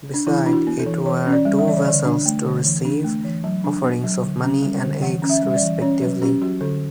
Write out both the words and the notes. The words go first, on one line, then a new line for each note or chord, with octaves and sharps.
Beside it were two vessels to receive offerings of money and eggs respectively.
D4
E3 E4
D4 E4
F#4
B3
A4
E3
E3 C#5
C#4
D5
G3
E5
E3 D5
C#5
D3 D5
D4
A3
D3
E3
D4
A3
E3
F#3
D4
B3
F#3
D3
C#4
G3
D3
E3 F#5
C#4
E5
G3
E5
D5
E3
C#4 C#5
F#3 B4
C#4 G4
F#3 F#4
D3 A4